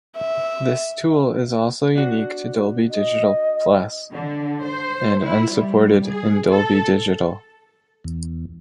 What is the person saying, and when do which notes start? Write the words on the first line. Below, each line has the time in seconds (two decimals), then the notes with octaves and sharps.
This tool is also unique to Dolby Digital Plus, and unsupported in Dolby Digital.
0.16 E5
1.95 D4 F#4
2.90 D#5
4.13 D3
4.65 C5
5.24 E4
5.54 G3
6.10 G#4
6.50 A4
8.04 E2